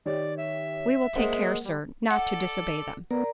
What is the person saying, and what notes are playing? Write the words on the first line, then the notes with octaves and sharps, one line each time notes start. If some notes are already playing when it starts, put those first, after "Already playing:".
"We will take care, Sir, not to disobey them."
D#3 G4 C#5 D5
E5
G#3 A#3 C5 F#5
G3
A4 D5 F#5
B3 A#4 D5 A#5